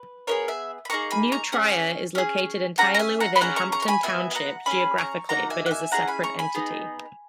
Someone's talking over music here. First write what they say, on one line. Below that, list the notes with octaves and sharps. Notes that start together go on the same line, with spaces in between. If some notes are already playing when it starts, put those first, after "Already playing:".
New Trier is located entirely within Hampton Township geographically but is a separate entity.
Already playing: B4
B3 E4 G#4 A#4 C#5
E5 G#5
B5
A#3 D#4 G#4 A#5 C#6
G#5 B5
A#5 C#6
C#4 G#4
C#4 G#4
C#4 G#4 F#5 A#5
A#5
E5 G#5
F#5 A#5
B5
C#4 E4 G#4 F#5 A#5
A#5 C#6
A#5 C#6
C#6
G#5 B5
B3 F#4 E5 G#5
G#5
F#5 A#5
C#4 G#4 G#5 B5
A#5 C#6
A#3 D#4 F#4 F#5 A#5
E5 G#5
F#5
E5 G#5
C#4 E4 G#4 F#5 A#5
G#5 B5
A#5 C#6
G#5 B5
B3 D#4 G#4